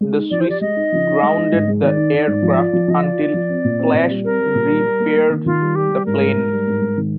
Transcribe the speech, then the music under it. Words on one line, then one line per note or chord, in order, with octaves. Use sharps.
The Swiss grounded the aircraft until Flash repaired the plane.
G#3
D#4
F3 D5
C5
G4 D5
G#3 D#5
D#4
F3
D#4
G#3
D#4
G#2
G#3
D#3 D5
D#4
D#4
G#2
F3
F4
F3
F3 D#5
F4 D5
F4
F3
C4
A#2
C4
A#2
G3
C4 A#4
G3
A#2
G3
G3
A#3
A#3
D#3
D#3 F4
G3
G3 G4
G3
G#2 A#4
G#2
G#2
G3
G#2
G#2
D#3